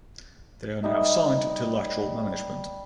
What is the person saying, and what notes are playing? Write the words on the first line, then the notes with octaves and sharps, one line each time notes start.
They are now signed to Lateral Management.
G3 D#4 E5